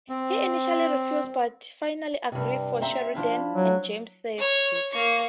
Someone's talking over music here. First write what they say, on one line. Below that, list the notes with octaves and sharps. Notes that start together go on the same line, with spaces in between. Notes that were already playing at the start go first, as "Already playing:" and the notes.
He initially refused, but finally agreed, for Sheridan and James' safety.
C4
G2 C3
C4 E5 A#5
F3 D4 E4
F#3
C#5
A#3 C#6